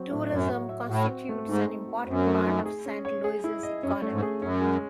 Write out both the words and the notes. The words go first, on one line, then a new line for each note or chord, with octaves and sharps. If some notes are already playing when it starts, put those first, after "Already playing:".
Tourism constitutes an important part of Saint-Louis' economy.
Already playing: F#3 C4
A2
F#2 C#5
F#4
E5
A2 F#4
C4
A3
G#2 D#4
C4
F#4
F#2 C4
A3
D#4
G#4
C#4
C#5
G#4
E4
D#5
F#2 C#4
A3
G#2
G#4
F#2 C#4
G#3